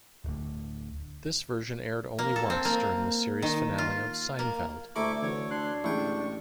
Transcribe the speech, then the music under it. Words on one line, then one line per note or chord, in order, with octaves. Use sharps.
This version aired only once, during the series finale of "Seinfeld".
D1 D2
A#3
A4
C4
A#3
D#3
F4
A#3
D2 E4 A4 A#5 B5 C#6 D6
D3 E3 F#4 C#5 C#6
D4 C6 F#6
A1 G#3 E4 G5 C#6